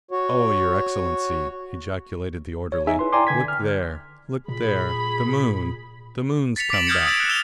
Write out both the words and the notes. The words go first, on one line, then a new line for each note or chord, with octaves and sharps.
"Oh, your Excellency," ejaculated the orderly, "look there! look there! The moon! the moon's come back!"
F#4 C#5
C#5
D#4 G#4 E5 G#5
E4 B4 C6
D5 G5 G#5 A#5 C6 D6
D3 G#5 G#6 B6
F6
A#2 G#4 B5
A6 B6 C#7 F7
D6 B6 D7 F#7
D#6 F6 G6 G#6 A#6 C#7
D#6 E6 A6 D7 E7
F#6 D7
E6 C#7 E7 F7 G7